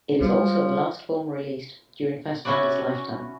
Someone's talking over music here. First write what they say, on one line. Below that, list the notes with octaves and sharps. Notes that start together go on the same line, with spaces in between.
It is also the last film released during Fassbinder's lifetime.
F3 G3
C#4 E4 F#4 B4 D5